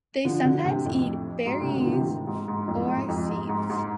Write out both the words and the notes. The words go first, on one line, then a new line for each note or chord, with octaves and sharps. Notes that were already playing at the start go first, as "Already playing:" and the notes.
They sometimes eat berries or seeds.
D3 F3
B2 D3
A2 C3
F2 A2
G#2 B2
A2 C3
B2 D3
F3
C3 E3
A2
G#2
G#2
G#2
F2 A2
G#2
F2
G#2
G#2
G#2